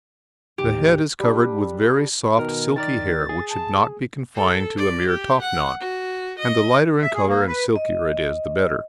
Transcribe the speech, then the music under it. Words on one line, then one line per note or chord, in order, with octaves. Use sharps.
The head is covered with very soft silky hair, which should not be confined to a mere topknot, and the lighter in colour and silkier it is the better.
A1 D#2 G4
G3 D4
B2 D#3 A#4
D#3 A#4 D5 A6
G#4
A5
A4
D5
G4
F#5
F#4
D#5
E5
G#4
A#3
B4
D#5